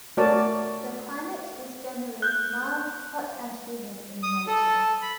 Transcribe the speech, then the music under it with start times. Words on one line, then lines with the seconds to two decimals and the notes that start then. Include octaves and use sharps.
The climate is generally mild hot and humid in nature.
0.17 A3 F#4 A#4 C#5 D5 A5
2.22 F#6 G6
4.23 D#6
4.47 A4
5.02 B5